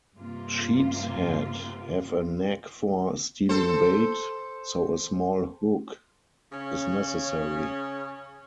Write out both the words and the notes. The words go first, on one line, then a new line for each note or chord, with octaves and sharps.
Sheepshead have a knack for stealing bait, so a small hook is necessary.
G2 C3 A#3 F4
A4 C5
C#3 C#4